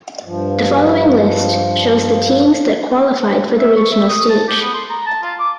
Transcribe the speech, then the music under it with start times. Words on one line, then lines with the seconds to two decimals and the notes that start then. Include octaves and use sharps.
The following list shows the teams that qualified for the Regional Stage.
0.25 G2 F3
3.59 E5
3.77 C#6
3.91 E5
4.09 D#6
4.29 A5
4.48 G4
4.60 B3
4.74 C6
4.90 A#5
5.07 A5
5.23 F4
5.39 D6